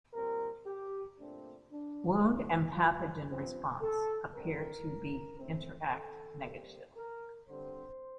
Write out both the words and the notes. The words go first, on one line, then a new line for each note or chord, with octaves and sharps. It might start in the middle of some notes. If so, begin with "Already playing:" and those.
Wound and pathogen response appear to be interact negatively.
A#2 G3 C4 A#4
G4
A#2 A3 C4 D4
D4
F2 D3 A3 C4 D#4
F4
G2 F3 C4
A4
G2 D3 A3 C4 A#4
A2 A3 C4
A4
C3 G3 A#3
A#4
D3 G3 C4 C5